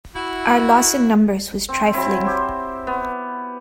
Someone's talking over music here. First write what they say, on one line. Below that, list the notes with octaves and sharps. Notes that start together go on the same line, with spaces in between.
Our loss in numbers was trifling.
E4 F#4
C4
F#3 C4 E4
G4 C5
B3